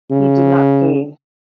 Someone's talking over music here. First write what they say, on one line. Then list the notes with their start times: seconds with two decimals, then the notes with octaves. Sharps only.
He did not pay.
0.11 C#3